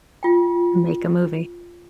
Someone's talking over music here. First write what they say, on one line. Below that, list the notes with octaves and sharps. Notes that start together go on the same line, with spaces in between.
And make a movie.
F4 G5